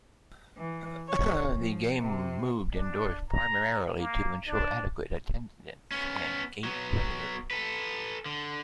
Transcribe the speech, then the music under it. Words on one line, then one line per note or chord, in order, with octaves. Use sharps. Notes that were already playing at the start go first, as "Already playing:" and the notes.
The game was moved indoors primarily to ensure adequate attendance and gate revenue.
E3
C#5
F3
C3
D4
A#5
A#3
D4
B3 C#4
F#3 B3
A4 B4
D3